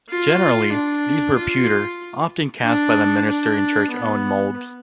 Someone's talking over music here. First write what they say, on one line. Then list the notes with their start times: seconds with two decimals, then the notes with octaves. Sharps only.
Generally, these were pewter, often cast by the minister in church-owned molds.
0.10 F4
0.73 D4
1.37 F4
2.64 D4
3.28 D4
3.91 B3